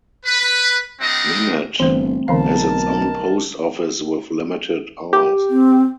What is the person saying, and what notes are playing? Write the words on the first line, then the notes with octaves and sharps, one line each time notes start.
Minot has its own post office with limited hours.
B4
G3 C4 D4 D#5 F#5 A#5
G1 E3 A3 C4 C5
B1 D3 E3 D#4 A#4 F5 A5
G4
C4